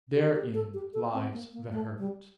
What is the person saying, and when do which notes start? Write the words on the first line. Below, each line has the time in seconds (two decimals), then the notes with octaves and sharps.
Therein lies the hurt.
0.15 G4
0.35 G4
0.54 A4
0.74 G4
0.93 A4
1.13 C4
1.33 A#3
1.53 A#3
1.72 A3
1.98 G3